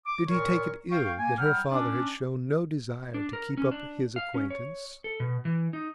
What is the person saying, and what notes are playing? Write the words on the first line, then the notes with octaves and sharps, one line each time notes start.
Did he take it ill that her father had shown no desire to keep up his acquaintance?
D6
A#2 A#4 C#5 C#6
F5 G5 C#6
A#3 G#5
F#3 G3 F#5 G5 F6
C#4 D4
D4
A#4
C#4
D4
F5
C#4
C#5
A4
B2
E3
D#4